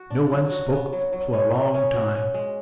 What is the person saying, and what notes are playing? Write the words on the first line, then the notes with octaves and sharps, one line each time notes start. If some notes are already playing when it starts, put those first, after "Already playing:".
No one spoke for a long time.
Already playing: F#4
D4
F#3
F#4
B3
F#3
F#3
C#4
C#4
C#4
F#4
C#4
G#3